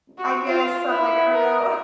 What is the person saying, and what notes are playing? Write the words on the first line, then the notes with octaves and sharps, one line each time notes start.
I guess I'm, like, I don't know,
F#4
F4
E4
A#4